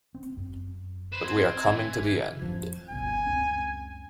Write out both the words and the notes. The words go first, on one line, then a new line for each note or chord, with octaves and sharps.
But we are coming to the end.
C4
F#2
B4 C5 E7
C4 G#6
E3
F2 A2 F3
G1 C#2 B2 G#5
C#2 F#2 C4